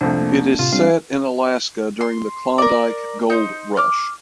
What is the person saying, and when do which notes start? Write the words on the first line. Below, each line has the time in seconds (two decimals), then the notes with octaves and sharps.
It is set in Alaska during the Klondike Gold Rush.
0.01 C2 F2 A3 D4
0.21 A#3
0.59 A2 C3 F4
0.73 G3 C4 D4 F5
2.01 C6
2.58 A#4 D5
3.30 D#4 C5
3.77 D6 F6